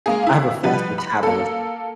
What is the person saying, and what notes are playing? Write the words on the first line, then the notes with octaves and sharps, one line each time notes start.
I have a fast metabolism
G#3 A#3 G#4
E4 F5
F3 G3 B4
B5
A#3 A4